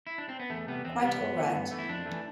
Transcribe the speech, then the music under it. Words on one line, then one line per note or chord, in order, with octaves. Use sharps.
Quite all right.
E4
D4
C4
B3
E2 A3
C3 G3 B3
E2 C4
C3 G3 B3
G2
E3 A3
G2
E3 A3
E4
F2 D4
E3 A3